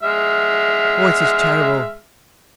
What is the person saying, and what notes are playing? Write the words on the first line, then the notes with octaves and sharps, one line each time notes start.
Oh, it is terrible!
G#3 E5 F6